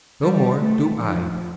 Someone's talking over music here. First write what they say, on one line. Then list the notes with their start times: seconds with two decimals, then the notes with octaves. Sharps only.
"No more do I!"
0.21 G3
0.61 A3
1.00 F3